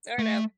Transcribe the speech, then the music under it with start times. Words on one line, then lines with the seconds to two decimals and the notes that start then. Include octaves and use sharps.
sort of
0.19 A3